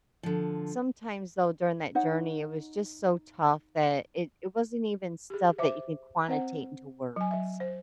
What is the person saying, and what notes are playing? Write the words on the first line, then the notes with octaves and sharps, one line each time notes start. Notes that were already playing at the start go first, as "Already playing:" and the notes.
sometimes, though, during that journey, it was just so tough that it it wasn't even stuff that you could quantitate into words
D3 F3
D#4 C#5 F#5
G4 G#4
C5 E5 D6
C4 C5 F#5
F#3 G#5
F#3 E5
C5